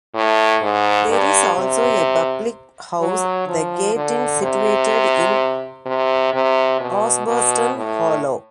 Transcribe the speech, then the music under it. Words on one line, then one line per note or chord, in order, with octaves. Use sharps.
There is also a public house, The Gate Inn, situated in Osbaston Hollow.
A2
G#2
G2
C3
F#3
F3
D3
C3
C3
C3
B2
B2
A2